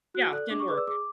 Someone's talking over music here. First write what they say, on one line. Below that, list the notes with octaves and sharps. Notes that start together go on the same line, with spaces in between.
Yeah, didn't work.
F#4 F#6
A4 D5 F#6
D4 D6
C#6
G#4 B4 D5 D6
E6
G#4 D6